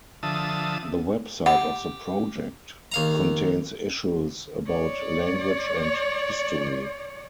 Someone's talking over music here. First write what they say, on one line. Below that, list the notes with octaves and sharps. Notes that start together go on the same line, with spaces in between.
The website of the project contains issues about language and history.
D3 F3 E5 A5 D#6
G4 F#5
D#2 F5 A#5
C#5 D5